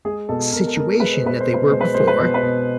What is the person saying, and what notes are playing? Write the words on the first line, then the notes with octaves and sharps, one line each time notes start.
situation that they were before.
G#3 G#4
B2 A4
B2 A#4
A4
G#3 A#4
G#3 B4
C5
B2 B4
C5
B2
B4
G#3 C5
B4
G#3 C5
B4
B2 C5
B4
B2